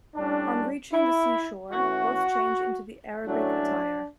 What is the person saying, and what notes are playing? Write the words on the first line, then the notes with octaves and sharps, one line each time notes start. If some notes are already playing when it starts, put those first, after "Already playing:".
On reaching the sea shore, both change into the Arabic attire.
A2 G3 C#4 D4
E4
E3 A3 C#4 F#4
A2 F#3 A3 C#4 D4